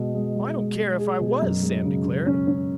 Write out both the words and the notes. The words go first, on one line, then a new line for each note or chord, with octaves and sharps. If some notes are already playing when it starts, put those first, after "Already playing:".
"I don't care if I was," Sam declared.
Already playing: B2 G#3
G#3
G#3
G#3
G#3
G#4
B2
F#2
G#3
C#3
C#3
C#4
C#4